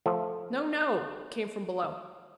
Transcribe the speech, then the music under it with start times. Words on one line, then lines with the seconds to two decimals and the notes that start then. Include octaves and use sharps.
"No, no!" came from below.
0.06 F3 A3